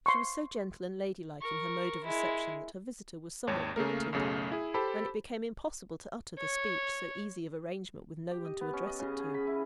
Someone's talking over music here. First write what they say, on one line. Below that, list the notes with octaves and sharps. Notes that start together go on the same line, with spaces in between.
She was so gentle and ladylike in her mode of reception that her visitor was somewhat daunted; and it became impossible to utter the speech, so easy of arrangement with no one to address it to.
C6 C#6
A#4 C#6
G#3 E4
G#1 D#2 C#5
C#3 A3 A#3 A#4
B1 F#2 C#3 A3
E4 G#4
G4 A4 C5 A5 B5
C#5
G4
D#5
B3
C#4
D#5
C#3
G#4
B5
E4